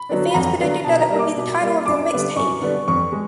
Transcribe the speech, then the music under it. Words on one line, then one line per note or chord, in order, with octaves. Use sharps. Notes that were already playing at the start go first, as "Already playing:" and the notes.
The fans predicted that it would be the title of their “mixtape”.
Already playing: B5
D3 F#3 B3 D4
B5
F2 A#5
D3 F#3 B3 D4
B2 A5
A#5
G3 A#3
D6
B2
G3 A#3
F#2 D6
D3 G3 B3 D4
F#2 C#6
D3 G3 B3 D4
F2 C#6
G#3